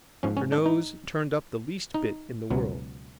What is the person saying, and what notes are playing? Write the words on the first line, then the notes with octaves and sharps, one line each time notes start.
Her nose turned up the least bit in the world.
G#2 F3 C#4
C#4
D4
D#4
D#4
C#2 B2 F#3